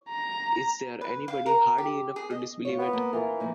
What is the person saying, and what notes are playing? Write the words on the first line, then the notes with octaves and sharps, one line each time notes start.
Is there anybody hardy enough to disbelieve it?
A#5
B4
F5
A#4
G4
G#4
D#5
F4 C#5
B3
A#3
E3 F4 A#4
F3 A#3 D#4